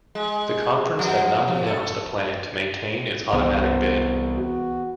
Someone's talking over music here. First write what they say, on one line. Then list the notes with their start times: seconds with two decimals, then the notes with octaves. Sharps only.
The conference has not announced a plan to maintain its automatic bid.
0.15 G#3
0.99 F2
1.48 F3
1.67 A4
3.33 C2 E3 B3 G#4 C5
4.37 F#4